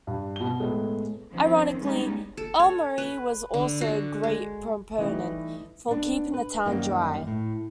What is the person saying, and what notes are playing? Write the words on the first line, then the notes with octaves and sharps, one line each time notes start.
Ironically, ElMarie was also a great proponent for keeping the town dry.
G2
B2 G7
A2 G#3 A3 B3
D#3 F3 C4 C#4
G3 G#3 B3 C#4 D#4
A4
C#5
B4
D3
F#4
G#3
E3 G3 A3 D#4 B4 D#5
B3 D4
B4
F#2 D#3 G3 A#3 C4 D#4
A2